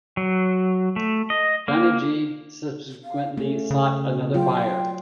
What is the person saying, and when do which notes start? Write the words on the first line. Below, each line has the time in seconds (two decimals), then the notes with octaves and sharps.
Dynegy subsequently sought another buyer.
0.17 F#3
0.96 A3
1.30 D#5
1.68 A#3
3.04 F5
3.37 A3 C#4
3.71 C#3
4.34 F#3 F4 G5